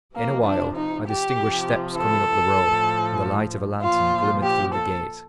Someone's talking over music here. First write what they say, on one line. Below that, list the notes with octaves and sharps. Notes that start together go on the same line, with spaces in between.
In a while, I distinguished steps coming up the road, and the light of a lantern glimmered through the gate.
C3 F3 A#3
D4
D#4
G4
C3 F3
A4
A2 F3
A#2 F3 F4
G4
A4